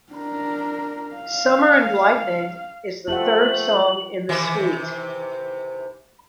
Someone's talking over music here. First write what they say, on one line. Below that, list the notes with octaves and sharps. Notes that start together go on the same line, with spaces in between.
"Summer and Lightning" is the third song in the suite.
D4 A#4
F5
A3 F4 G4 C5 F#5 F#7
C3 D#3 E3